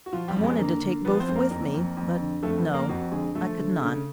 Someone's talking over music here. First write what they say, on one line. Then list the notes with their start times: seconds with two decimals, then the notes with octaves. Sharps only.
I wanted to take both with me, but, no, I could not.
0.06 F#4
0.13 F3 F4
0.28 G3 G4
0.36 F2
0.43 G#3 G#4
0.59 D3 A#3 A#4
0.82 D3
1.05 F3 B3 B4
1.20 C4 C5
1.28 F2
1.35 A#3 A#4
1.51 F2 A#3 A#4
1.74 F2
1.97 F2
2.20 D3
2.43 F2 A3 A4
2.58 B3 B4
2.66 F2
2.74 A#3 A#4
2.89 F2 F#4
3.12 D3 G#3 G#4
3.35 F3 A3 A4
3.58 D3
3.81 C#3